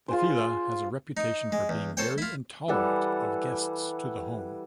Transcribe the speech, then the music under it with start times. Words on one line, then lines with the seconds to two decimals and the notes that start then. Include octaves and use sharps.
The Fila has a reputation for being very intolerant of guests to the home.
0.08 F4 G#4 C5
1.17 D#4
1.52 G#3
1.69 E2
1.97 A4 C5 C#5 G5
2.18 E4 F4
2.68 E3 G3 A4 F#5